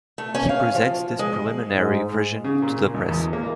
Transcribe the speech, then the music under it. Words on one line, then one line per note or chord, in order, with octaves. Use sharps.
He presents this preliminary version to the press.
A3
C#4
F5
F3
G#3
G#2
C#3
A#2
G#1
E2
A#3